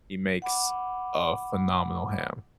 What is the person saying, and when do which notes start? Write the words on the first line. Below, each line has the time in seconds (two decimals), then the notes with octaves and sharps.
he makes a phenomenal ham,
0.42 F#5 B5 D6